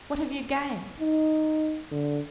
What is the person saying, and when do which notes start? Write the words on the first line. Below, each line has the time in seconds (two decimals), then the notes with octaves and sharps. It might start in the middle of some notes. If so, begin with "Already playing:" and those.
What have you gained?
1.00 D#4
1.91 D3